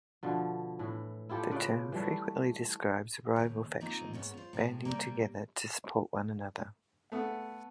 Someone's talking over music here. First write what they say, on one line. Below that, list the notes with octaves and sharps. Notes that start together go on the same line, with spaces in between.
The term frequently describes rival factions banding together to support one another.
B2 D3 F3
A2 E3
E4 F4 G4 A4
C#3 F4 B4 D5
E3 G3 A3
D#2 C#3
A#3 C4 D#4 F4
G#2 B3 C#4
F4 C5
A2 C3 G#3 G#4
C3 G3 A#3
A3 B3